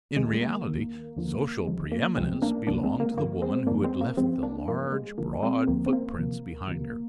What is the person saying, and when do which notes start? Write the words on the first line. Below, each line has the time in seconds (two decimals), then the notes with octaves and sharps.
In reality, social preeminence belonged to the woman who had left the large, broad footprints behind her.
0.16 D#2 D#3 G#3
0.33 G#3
0.41 A#3
0.67 D#2 D#3
1.17 D#2 D3 F3
1.67 D#2 D3 F3 G#3
1.92 A#3
2.17 C2 C3 F3 G#3 C4
2.42 A#3 D4
2.67 C2 C3 F3 A#3 D4
2.84 G#3 C4
3.00 A#3
3.17 G2 D3 F3 A#3
3.42 G#3 C4
3.67 G2 D3 F3 A#3 D4
3.84 G#3 C4
4.01 A#3
4.17 G2 F3 G#3 C4
4.43 A#3 D4
4.67 G2 F3 A#3
4.92 G#3
5.18 D2 D3 F3 A#3
5.43 G#3 C4
5.68 D2 D3 F3 A#3
5.86 C4
5.93 A#3
6.18 D2 C3 F3
6.68 D2 C3 F3